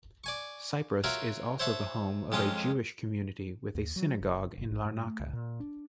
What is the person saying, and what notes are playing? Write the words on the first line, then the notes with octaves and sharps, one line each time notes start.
Cyprus is also the home of a Jewish community with a Synagogue in Larnaca.
D5 G#5 C#6
F4 F#4 A#4 C#5 E5
C5 C#5 E5 F#5 A5
F2 G#3 C#4 F4 D#5
D#2
F#3
F#1
F#1
A1
G#2
A3
C#2
A#2
D4